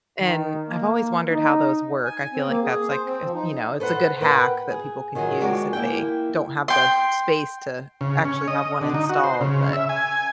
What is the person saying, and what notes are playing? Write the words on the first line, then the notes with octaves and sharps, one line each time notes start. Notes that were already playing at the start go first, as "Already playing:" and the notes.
And I've always wondered how those work. I feel like that's like eh you know, it's a good hack that people can use if they don't have the space to uh actually have one installed but
D#3
A#3
D#4
G#5
C4
A#3
G#4
C5
C4
F3
D#4
A4 B4 C5 F#5
A#4 B4 F#5 G5
G#4
D#3 F#3 F4 G#4
F2 D#3 G#3 F#4 D5
A#3 E4 G4 G5
G5 C6
C#3
C#4
D#5
D3
D#4
F#4
C5
C#3
E5
G#5